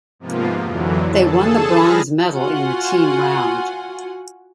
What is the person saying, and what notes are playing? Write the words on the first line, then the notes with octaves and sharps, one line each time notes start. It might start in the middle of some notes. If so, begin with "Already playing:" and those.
They won the bronze medal in the team round.
G#2 C3 F3 A#3 B3 F4
F2 D3 E3 F#3
G#4 A4 A5
G3 G#4 B4 B5 F6 A#6
F4 F#4 F#5 G#5